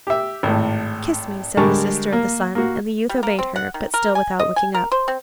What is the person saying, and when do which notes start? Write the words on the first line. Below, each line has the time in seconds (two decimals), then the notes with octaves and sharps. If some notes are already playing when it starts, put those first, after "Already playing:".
'Kiss me,' said the Sister of the Sun; and the youth obeyed her, but still without looking up.
0.07 G4 E5
0.43 G#1 A2
1.57 D3 G3 G#3 A#4 A5 C#6
2.12 A#3
2.55 A#3 F#4
3.09 G3
3.23 A#3
3.39 C4
3.56 F#5
3.74 D#3
3.94 A#4
4.15 G#5
4.39 D#5
4.56 G#5
4.74 A#4
4.92 C5
5.08 C4